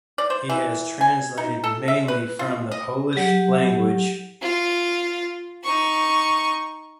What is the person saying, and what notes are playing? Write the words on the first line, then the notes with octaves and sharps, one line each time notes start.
He has translated mainly from the Polish language.
D5
C5
E3
G#5
D#4
A4
E5
B4
F4
D#5
F#3 G4
F4
D#4 C#6